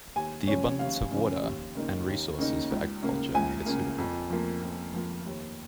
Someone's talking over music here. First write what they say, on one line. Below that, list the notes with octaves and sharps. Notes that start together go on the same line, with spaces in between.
The abundance of water and resources for agriculture made it suitable.
D#2 G#5
C#3 F3 C#4 C#5
D#2 F5
C#3 F3 C#4
D#2
C#3 A#3 D#4
D#2
C#3 A#3 D#4
C#2
C#3 A#3
C#2 G#5
C#3 A#3
F2
F3 A#3
F2
F3 A#3
D#2